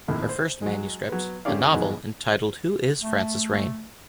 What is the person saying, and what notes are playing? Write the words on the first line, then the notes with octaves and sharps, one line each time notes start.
Her first manuscript, a novel entitled Who is Frances Rain?
A#1 D#2 A2 C3
C5
F#3 G#3
F#3 B3
F#2 D3 G4 C#5 D5 F5
E2 G#2 D#3 F#3 G#3
A3